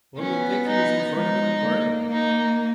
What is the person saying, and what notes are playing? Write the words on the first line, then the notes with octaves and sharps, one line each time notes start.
"One would think he was in front of an aquarium!"
B3 C#4
D#4
G#3 D#4
A#3
D#4